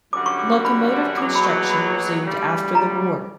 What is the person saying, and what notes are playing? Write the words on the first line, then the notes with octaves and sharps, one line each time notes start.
Locomotive construction resumed after the war.
F#2 D3 G3 C#4 F#4 D6
C#6
D6
C#6
B5
E2 B2 F#3 A#3 D6
B5
C#6
B5
D2 C#3 G3
A#5